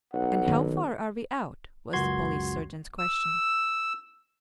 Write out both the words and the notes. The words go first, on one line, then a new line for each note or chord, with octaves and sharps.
"And how far are we out?" was the police sergeant's question.
B1 F#5
D#3 C#4
C#2 F#2 F#4 C6 G#6
E6